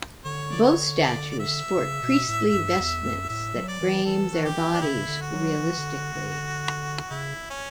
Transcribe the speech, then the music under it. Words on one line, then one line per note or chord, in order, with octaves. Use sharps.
Both statues sport priestly vestments that frame their bodies realistically.
D3 C#5
D5
C#5
D5
D5
E5
C#3
B2
A2
G2
E2
F#2
A2 E5
F#3
D5
E3
E3 A4
E3 F#4
G4
E3
D4
C#3 E4
D3
F#4
F#3
E3
D3
D3
D3
C#3 E4
C#4